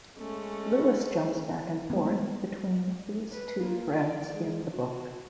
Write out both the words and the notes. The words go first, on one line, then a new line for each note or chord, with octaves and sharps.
Lewis jumps back and forth between these two threads in the book.
G#3 A3 C#4
G3 G#3 A#3 B3
B4
A#3 F4
D5
G#3
F#4